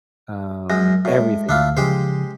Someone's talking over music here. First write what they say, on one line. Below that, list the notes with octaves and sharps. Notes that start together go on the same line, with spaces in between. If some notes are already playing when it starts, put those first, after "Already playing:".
um, everything.
F#2 G#3 A#6
A2 F#4 C#5
G#3
D2 D4 E4 F4
C#3 F3 G#3 G4 C5